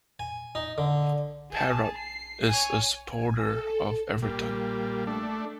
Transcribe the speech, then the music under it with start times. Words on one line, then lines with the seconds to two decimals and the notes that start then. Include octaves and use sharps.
Parrott is a supporter of Everton.
0.19 G#5
0.55 D#4
0.78 D3
1.51 G#4 A5
1.98 C7
2.48 C#5 G#5
3.04 G#5
3.38 A4
4.22 A#2 G3
5.07 A3 D4